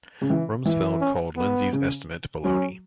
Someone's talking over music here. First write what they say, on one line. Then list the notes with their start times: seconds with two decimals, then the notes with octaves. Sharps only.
Rumsfeld called Lindsey's estimate "baloney".
0.21 C#3
0.30 E3
0.65 E3
1.01 C#4
1.37 B3
1.73 C#3
2.44 F#3 C#4